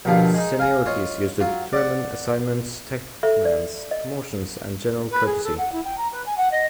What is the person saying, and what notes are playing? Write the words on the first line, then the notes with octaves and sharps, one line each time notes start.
Seniority is used to determine assignments, tactical commands, promotions and general courtesy.
A#1 D#2 B2 D3 F4
G#3 D#4
F5 G#5 A#5
F4 C#5 D#5
F#3 F4
D5 F#5
A4 E5
D5
D#5
B4
G#4
A4
F#5
E4
G5
A#5
B4
G#5
F#5
D#5